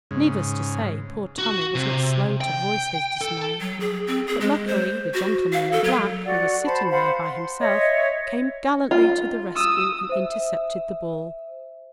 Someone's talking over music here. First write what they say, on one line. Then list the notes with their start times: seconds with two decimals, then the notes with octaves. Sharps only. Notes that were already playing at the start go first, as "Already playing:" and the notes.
Needless to say poor Tommy was not slow to voice his dismay but luckily the gentleman in black who was sitting there by himself came gallantly to the rescue and intercepted the ball.
0.11 G#2 C#3
1.38 F#4
1.75 C3
2.41 G5
3.21 A4
3.61 F#3
3.80 G#4
4.07 C4
4.27 G#4
4.41 G#3
4.67 C5
5.14 F#4
5.53 F5
5.72 A4
5.84 F#3
6.25 F#4 D5 F#5
6.65 C5 A5 B5
6.90 C5 F5 F#5 B5
7.22 C6
7.60 C#5 D#5 E5
8.91 F4
9.56 D#6 E6
10.09 C5 E5